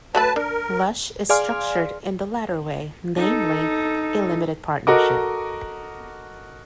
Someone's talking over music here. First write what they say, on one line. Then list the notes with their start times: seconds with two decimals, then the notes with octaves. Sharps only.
Lush is structured in the latter way, namely a limited partnership.
0.15 F#3 A3 B4 A5 B5
0.36 D4 A#4
1.29 G#4 D5 F5 G#5 C6 F6
3.17 D#4 A4
4.87 F#4 A4 A#4 D#5 D6